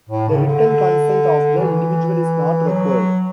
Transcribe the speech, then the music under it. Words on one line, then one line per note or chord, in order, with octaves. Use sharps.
The written consent of the individual is not required.
A2
C#3
D3
E3
F#3